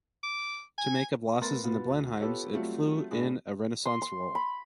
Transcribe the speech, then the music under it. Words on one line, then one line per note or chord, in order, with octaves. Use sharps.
To make up losses in the Blenheims it flew in a reconnaissance role.
D6
G#5
A3 B3 A#4 C6 A6
B2 B3 F4
D2
B3 F4 G4 A4 C#5
F#3 G3 A3 C4 F4
A2 A3 D4 G#4
C6
C6
B5